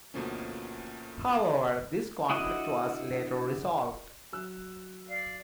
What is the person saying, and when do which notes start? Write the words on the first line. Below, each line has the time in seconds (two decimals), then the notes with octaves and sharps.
However, this conflict was later resolved.
0.14 D2 B2 F3 A3 A#3 C#4
2.30 D3 E4 F#4 D#5 F#5
4.33 F#3 E6 F#6
5.08 D5 F5